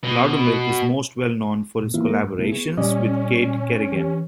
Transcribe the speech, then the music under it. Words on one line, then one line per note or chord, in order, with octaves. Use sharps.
Lowdermilk is most well known for his collaborations with Kait Kerrigan.
B2
A#2
D#3 E3 A#3 B3 E4 F4
A#3 A#4
G#2
C3 A3 B3 E4
B3 G#4 C#6
A#2 G3 C#4 D5 D#5
E3 G4